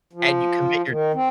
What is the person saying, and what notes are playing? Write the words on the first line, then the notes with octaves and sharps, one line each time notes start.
and you commit your
F3
D#3
C4